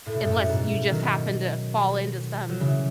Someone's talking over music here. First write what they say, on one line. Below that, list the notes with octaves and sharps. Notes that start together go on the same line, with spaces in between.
unless you just happen to fall into some
A2
B2
F#2 A2
G#2 B2
D#3 F#3
F#3
C#3 E3